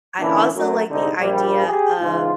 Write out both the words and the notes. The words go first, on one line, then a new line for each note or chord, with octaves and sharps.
I also like the idea of,
A#2 D3 E3 C#4 D4 E4
F#2 F#3 A3
C2 G#2 D3 G3 D#4
A#1 G3
G4 G#4
G#2 C#3 E3 D#4 F4